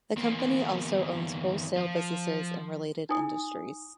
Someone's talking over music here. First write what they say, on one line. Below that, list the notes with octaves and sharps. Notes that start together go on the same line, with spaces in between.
The company also owns wholesale businesses in related industries.
E2 A#3
F3
D#4 E4 G#5 D#6